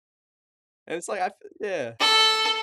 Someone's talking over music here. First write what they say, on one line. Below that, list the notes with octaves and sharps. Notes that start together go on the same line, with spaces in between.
And it's, like, I f Yeah.
A4